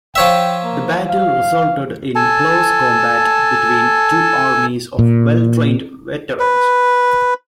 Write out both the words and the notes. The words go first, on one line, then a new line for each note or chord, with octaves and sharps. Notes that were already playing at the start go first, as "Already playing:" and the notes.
The battle resulted in close combat between two armies of well-trained veterans.
F3 C#5 E5 G5
A#3
F5
A4 G#5 A5
A#2
B4